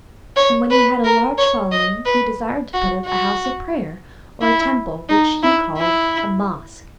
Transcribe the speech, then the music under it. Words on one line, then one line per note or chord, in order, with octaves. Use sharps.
And when he had a large following he desired to put up a house of prayer, or a temple which he called a mosque.
C#5
B4
A#4
C#5
D#5
B4
F#4
F#4
E4
D#4
E4
E4